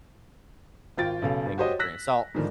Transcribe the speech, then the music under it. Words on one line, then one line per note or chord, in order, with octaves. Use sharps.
take it with a grain of salt.
G#1 F4 G5 A6 D7
B1 C#3 A4 F5
G2
F#4 G4 C5 C#5 D#5
E6 F#6 A#6 B6
G#2 D3 D#3 F3 G3